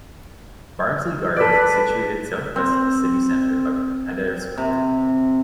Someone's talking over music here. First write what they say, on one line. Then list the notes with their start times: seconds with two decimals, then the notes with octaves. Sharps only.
Barnsley Gardens is situated southwest of the city center of Adairsville.
1.36 A4 B4 D5
2.56 C4
4.58 C3